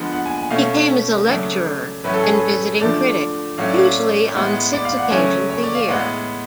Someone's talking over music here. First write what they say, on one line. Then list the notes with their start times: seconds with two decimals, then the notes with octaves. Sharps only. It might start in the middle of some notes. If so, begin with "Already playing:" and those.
He came as a lecturer and visiting critic, usually on six occasions a year.
Already playing: D3 F3 G#3 B3
0.13 F#5
0.26 G#5
0.38 G#5
0.50 B2 A3 C#4 F5
1.27 C#3 F#3 A3 D5
2.04 A2 F#3 A3 C#4 B4
2.14 A4
2.23 G#4
2.33 B4
2.80 D3 F3 A3 D5
3.58 A2 F#3 A3 C#4 F5
3.69 D5
3.78 F5
4.34 A2 G#3 B3
4.73 D5
4.85 F5
4.98 F#5
5.10 C#3 F#3 A3 C#4 G#5
5.50 C#5
5.63 D5
5.75 F5
5.88 A2 G#3 B3 F#5